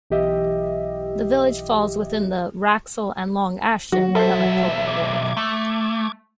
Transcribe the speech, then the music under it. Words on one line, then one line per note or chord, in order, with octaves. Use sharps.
The village falls within the 'Wraxall and Long Ashton' electoral ward.
B1 E3 G4 D#5 E5
F#3 F#4
B1 A4 C5 E5
D6 G#6
A3